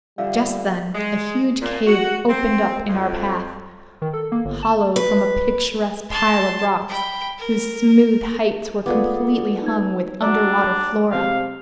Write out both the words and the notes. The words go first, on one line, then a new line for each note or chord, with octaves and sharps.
Just then a huge cave opened up in our path, hollowed from a picturesque pile of rocks whose smooth heights were completely hung with underwater flora.
D3 F3 G3 D4 E5 F5
G#3
A#2
F#4
C4
F2
D#3
A4
A#3
G1
A5
B4
A5 C6
G5 B5
A#4
B3 F4 G#4 A4 D5 D6
D#4 B4 G#6
D4 F#4 D5 A#5 D6 E6
C3 C4 F5